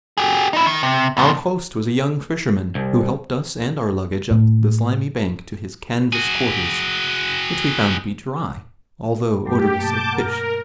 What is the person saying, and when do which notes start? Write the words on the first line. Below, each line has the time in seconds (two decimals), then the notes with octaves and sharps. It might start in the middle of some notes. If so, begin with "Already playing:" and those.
Our host was a young fisherman, who helped us and our luggage up the slimy bank to his canvas quarters, which we found to be dry, although odorous of fish.
0.18 G4 G#4
0.53 D#4 E4
0.67 D#3
0.83 C3
1.17 E2 A#2
2.75 C2
4.31 A2
6.13 F#4 G#4
9.45 G2 F#3 A3 G4
9.79 B2 A#3 A5 D6 G6
10.12 A#4 F#5